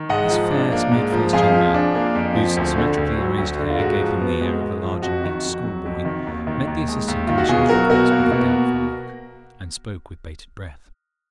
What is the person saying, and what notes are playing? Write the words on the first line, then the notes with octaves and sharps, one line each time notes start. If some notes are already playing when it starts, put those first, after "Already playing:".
This fair, smooth-faced young man, whose symmetrically arranged hair gave him the air of a large and neat schoolboy, met the Assistant Commissioner's request with a doubtful look, and spoke with bated breath.
Already playing: D#3
G#2 D#5 F#5
F3
D4
A#3
G#2
F3
F2 F4 G#4
F3
D4
A#3
F2
F3
D2
D3
D2
F#3
D2
D3
F4
G#2 F#4
F3
B3
G#3
G#2
F3
F2 F#4
D#3
F2
F#3
F2
D#3
D#2
D#3
D#2
G#3
D#2
D#3 F4
F#4
B2 F4 G#4
F#3 F#4 A#4
B2 F#4 A#4
A#3
B2